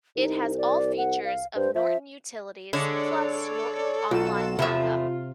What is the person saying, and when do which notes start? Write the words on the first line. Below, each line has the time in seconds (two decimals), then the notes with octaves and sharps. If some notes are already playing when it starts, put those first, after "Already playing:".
It has all features of Norton Utilities plus Norton Online Backup.
0.16 C2 D#4
0.57 D5
0.98 F#5
1.25 F5
1.55 G2 C5
1.75 F3 E5
2.73 D3 G#3 A4 C#5 D5
4.11 B1 F4 F#4 E7
4.59 E2 C3 F3 A3 F4 E5